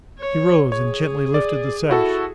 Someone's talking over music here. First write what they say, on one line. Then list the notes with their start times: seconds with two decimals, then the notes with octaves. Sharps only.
He rose and gently lifted the sash.
0.19 C#5
0.72 G#4 C#5
1.34 D5
1.89 E4 F#4 A4